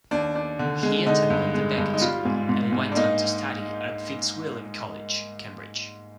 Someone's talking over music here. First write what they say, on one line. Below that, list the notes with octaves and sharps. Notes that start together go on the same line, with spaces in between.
He attended The Becket School and went on to study at Fitzwilliam College, Cambridge.
D#2 D4
D4
D3
G#3
D3 D#4
G2
G#3
G2
D#4
G3 F4
G#2
G#2
G#2
D4
A#3 D#4